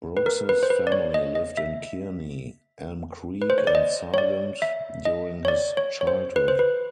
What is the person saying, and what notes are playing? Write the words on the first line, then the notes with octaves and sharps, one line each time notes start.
Brooks' family lived in Kearney, Elm Creek, and Sargent during his childhood.
B4
A#4
B4
C5
B4
D5
C#5
D#5
D#5
E5
B4
C5
C#5
D5
D#5
C#5
D5
E5
D#5
C#5
D5
C#5
C#5
C5
B4
C5
B4